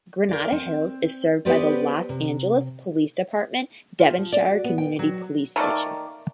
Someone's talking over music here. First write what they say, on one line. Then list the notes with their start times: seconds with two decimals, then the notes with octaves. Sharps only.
Granada Hills is served by the Los Angeles Police Department Devonshire Community Police Station.
0.29 A#4 D5
0.52 C4
1.45 B3 G4 B4 C5 D5
2.09 C3
4.00 F4
4.18 F3
4.33 D5
4.45 F#4
4.64 B3
4.78 G5
4.99 F#3
5.56 D#3 A3 A#3 D5